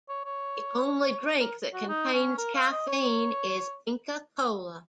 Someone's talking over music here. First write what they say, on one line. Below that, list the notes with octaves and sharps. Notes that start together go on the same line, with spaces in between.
The only drink that contains caffeine is Inca Kola.
C#5
C#5
A#4
F#4
D#4
C#4
A#4
F5
D#5
C#5